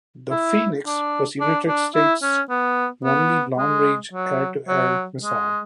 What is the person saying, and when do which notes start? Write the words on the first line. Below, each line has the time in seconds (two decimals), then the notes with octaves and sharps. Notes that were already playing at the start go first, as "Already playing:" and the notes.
The Phoenix was the United States' only long-range air-to-air missile.
0.31 E4
0.86 D4
1.40 D4
1.68 D4
1.95 E4
2.22 C#4
2.50 B3
3.05 B3
3.58 G#3
4.13 F#3
4.68 F#3
5.22 G#3